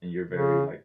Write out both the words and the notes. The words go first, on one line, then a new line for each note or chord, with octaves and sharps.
And you're very like
C#3